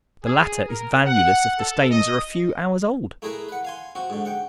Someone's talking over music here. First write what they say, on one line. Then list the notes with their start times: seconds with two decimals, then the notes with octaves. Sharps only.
The latter is valueless if the stains are a few hours old.
0.24 G#4
0.69 A#4
1.05 F#5
1.59 A4
1.91 D#5
3.22 A3 E4 G#4 A#4 B4
3.49 B4 F#5
3.65 F5 G#5 C6
3.95 C4 F#4
4.10 G#2 D3
4.26 F#5 G5